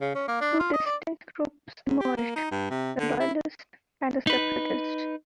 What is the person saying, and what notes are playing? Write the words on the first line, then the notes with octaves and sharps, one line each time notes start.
Two distinct groups emerged: the "loyalists" and the "separatists".
C#3
C#4
A#3
D4
F4
D#5
D5
G#2
G4
A#3
D#4
G2
C3
D3
E4
D#4 B4